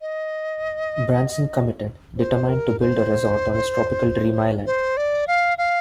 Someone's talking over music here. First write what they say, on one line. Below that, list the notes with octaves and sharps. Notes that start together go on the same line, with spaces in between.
Branson committed, determined to build a resort on his tropical dream island.
D#5
C5
A#4
C5
C5
D5
F5
F5